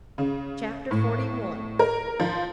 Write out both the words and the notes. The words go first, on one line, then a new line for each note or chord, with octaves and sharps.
Chapter XLI.
C#3
A2
A#4
F3